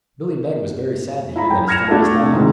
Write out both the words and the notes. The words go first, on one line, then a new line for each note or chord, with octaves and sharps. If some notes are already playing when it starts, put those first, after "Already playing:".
Billy Beg was very sad to hear that his friend must die.
E4 A#5 B5
F#2 G5
F6 G#6 A#6 C#7 E7 F7
A3 D4 E4 F#4 A4 A5
C3
G#2 C3 D#3